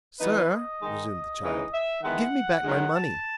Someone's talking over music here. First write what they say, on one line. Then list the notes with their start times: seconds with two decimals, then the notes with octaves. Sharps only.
"Sir," resumed the child, "give me back my money."
0.19 E3 B3 D#4 B4
0.50 D#5
0.80 D#3 G#3 D#4
1.41 C#3 E3 G#3 D#4
1.71 E5
2.02 D#3 G#3 B3 E4 F#5
2.63 F#2 D#3 G#3
2.95 A5